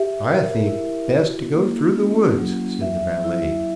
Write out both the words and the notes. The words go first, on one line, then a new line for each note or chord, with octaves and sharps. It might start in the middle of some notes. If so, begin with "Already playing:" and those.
"I think best to go through the woods," said the valet.
Already playing: G4 E5
A#4
E4
F#4
A#3
C#4
F#3
E5
E4